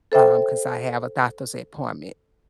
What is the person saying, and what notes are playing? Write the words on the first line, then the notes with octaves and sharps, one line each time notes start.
um, 'cause I have a doctor's appointment."
A4 C5 E5 G5